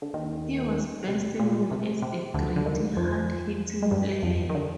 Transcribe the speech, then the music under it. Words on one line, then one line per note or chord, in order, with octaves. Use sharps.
He was best known as a gritty hard-hitting player.
D3
D#2 D#3
C3
A#2
C3
C3
D2 D3
D3
D#2 D#3
F2 F3
G#3
G2 G3
F2 F3
D#3
D3